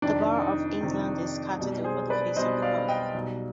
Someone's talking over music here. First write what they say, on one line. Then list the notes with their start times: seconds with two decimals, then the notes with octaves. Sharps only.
The bar of England is scattered over the face of the earth.
0.02 F2 C3 D#3 D4
0.42 D#4
0.81 F2 C3 D#3
1.59 B1 B2 G3
1.84 G#4 C5
2.10 B4 D5
2.36 B1 B2 G3 C5 D#5
2.62 D5 F5
2.89 D#5 G5
3.14 B1 B2 G3